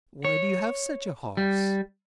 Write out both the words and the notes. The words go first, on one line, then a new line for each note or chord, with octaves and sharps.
"Why do you have such a horse?"
C#5
G3